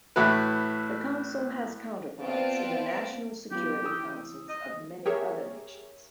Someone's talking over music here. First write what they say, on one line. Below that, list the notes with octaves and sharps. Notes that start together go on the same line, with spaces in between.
The Council has counterparts in the national security councils of many other nations.
A2 E3 E4 F#4 B4
B3 C4 F4 D5 A5 D7
F#3 B3 F4 G4
E3 D#6 E6
D#5
G4 G#4 A#4 C#5 E5